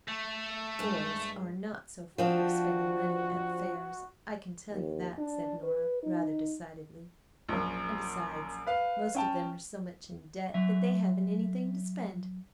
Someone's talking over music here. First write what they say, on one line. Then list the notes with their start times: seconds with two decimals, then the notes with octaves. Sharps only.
"Boys are not so fond of spending money at fairs, I can tell you that," said Nora, rather decidedly, "and besides most of them are so much in debt that they haven't anything to spend."
0.08 A3
0.79 G2 G#3
2.18 F3 C4 D4 F#4
4.71 D#2
5.18 D4
5.63 B4
6.03 D#4
7.49 A#1 F#2
8.67 B4 F5
9.15 C#4 G5 A5
10.54 F#3 E5